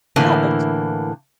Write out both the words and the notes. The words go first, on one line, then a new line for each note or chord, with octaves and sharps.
Yeah, but
A2 D3 E3 A#3